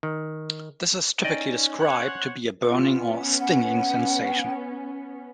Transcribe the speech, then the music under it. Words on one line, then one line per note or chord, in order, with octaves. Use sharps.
This is typically described to be a burning or stinging sensation.
D#3
C#4 D#4 D5 D#5 G5
C5 C#5 F#5 F#6
B3 C#4 F4
F#5